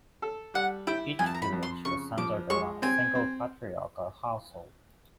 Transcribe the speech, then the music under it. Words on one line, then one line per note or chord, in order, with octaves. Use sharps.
Each village was centered around a single patriarchal household.
A4
G3 F#5
E4 G5
F2 G#5
A5
A#5
B5
F2
C6
C#3 C#6
F3 D6
G#3 C#6
C4 G#5
C4